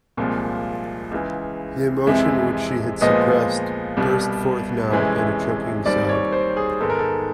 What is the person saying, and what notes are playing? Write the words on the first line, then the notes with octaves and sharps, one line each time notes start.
The emotion which she had suppressed burst forth now in a choking sob.
C2 A#2 F3 G#3
C#2 C#3 E3
F2 C3 E3 G#3 E5
A#2 F3 G#3 B3 D#5
C2 B2 G3
F2 C3 E3 G#3 C#4
D#2 D#3 G3 C4 D5
C#5
C5
G#4
G#2 D#3 G#3 B3 A4
A#4
A4